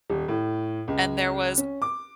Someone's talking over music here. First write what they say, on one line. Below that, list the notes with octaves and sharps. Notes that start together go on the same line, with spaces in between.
and there was
D#1
A2
C#2
C#4
D6